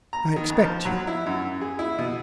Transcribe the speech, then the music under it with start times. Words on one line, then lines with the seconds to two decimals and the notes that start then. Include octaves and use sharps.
I expect you.
0.13 A#5
0.36 D#3
0.50 F2
0.62 F3
0.85 F#3
1.07 E4
1.26 F#2
1.61 G#4
1.79 E4
1.99 B2